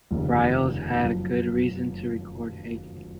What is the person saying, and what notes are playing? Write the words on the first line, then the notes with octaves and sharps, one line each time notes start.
Briles had good reason to record Hey Hank.
F1 D#2 C#3
F#1 F#2 F3